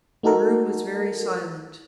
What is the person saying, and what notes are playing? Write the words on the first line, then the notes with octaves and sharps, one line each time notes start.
The room was very silent.
A3 D#4 F#4 A4 A#4